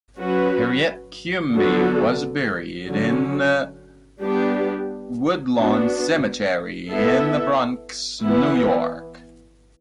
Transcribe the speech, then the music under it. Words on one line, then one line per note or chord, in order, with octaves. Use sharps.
Harriet Quimby was buried in the Woodlawn Cemetery in The Bronx, New York.
F#3 C#4 F#4 B4
D3 F#3 B3 F#4 A4
D3 F#3 C#4
G3 B3 D4 G4
B3 D4 F#4
B3 E4 A4 E5
E3 B3 E4 B4